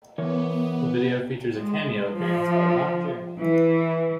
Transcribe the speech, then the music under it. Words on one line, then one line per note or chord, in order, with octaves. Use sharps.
The video features a cameo appearance by Ron Jeremy.
E3 B3 A#4 C#5
G#3
F3
E3